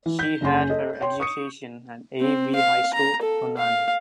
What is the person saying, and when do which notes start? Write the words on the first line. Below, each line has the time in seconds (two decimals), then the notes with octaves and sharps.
She had her education at A. V. High School, Ponani.
0.06 E3
0.19 G6 B6
0.41 F#1 C#3 C#4 C6
0.70 A4 D#5
1.01 C#5 G5 C6
1.20 C#6 D#6 C#7
2.20 C4
2.55 F5
2.94 A#5
3.22 A4
3.57 F5